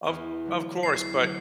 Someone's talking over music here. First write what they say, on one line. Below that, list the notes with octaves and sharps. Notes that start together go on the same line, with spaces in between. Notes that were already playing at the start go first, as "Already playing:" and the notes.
Of of course but
E2
D3 F#3 A3
E2 C7
D3 F#3 A3